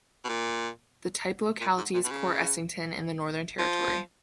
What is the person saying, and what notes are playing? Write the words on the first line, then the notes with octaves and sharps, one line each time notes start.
The type locality is Port Essington in the Northern Territory.
B2
A#2
A#2
G#2
A#2
B2
C#3
F3